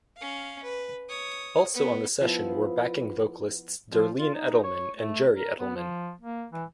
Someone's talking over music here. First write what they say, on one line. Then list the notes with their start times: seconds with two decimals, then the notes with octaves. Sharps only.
Also on the session were backing vocalists Darlene Eddleman and Jerry Eddleman.
0.17 C#4 F5
0.64 B4
1.09 C#5 D#6
1.74 B3
2.21 F3 B3 E4
3.91 F3
4.20 F4
4.34 D#4
4.64 C#5
4.96 A3
5.36 A#4
5.59 B3
5.77 F3
6.22 A#3
6.52 E3